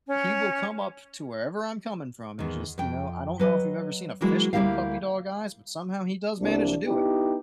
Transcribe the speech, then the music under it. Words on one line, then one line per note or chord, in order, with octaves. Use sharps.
he will come up to wherever I'm coming from and just, you know, I don't know if you've ever seen a fish give puppy dog eyes, but somehow he does manage to do it,
C#4
E2 D#3
F2 G5
F#3 B4 D#5
E3 F#3 G#3 A#3 E4 F#4
D2 G3 A#3 E4 G4 F5
C2 A#3 D4
B3 D#4 E4 G4